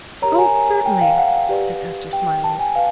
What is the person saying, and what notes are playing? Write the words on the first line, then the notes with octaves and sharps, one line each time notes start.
"Oh, certainly," said Esther, smiling.
G4 A#4 C#5 A#5
G#5
G5
F5
F#5
G4 B4 D5
G5
A5
G#5
B4 F5